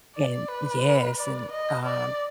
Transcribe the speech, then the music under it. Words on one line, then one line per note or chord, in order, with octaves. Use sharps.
And yes, and, um,
D5
B4
D5
D#5
D5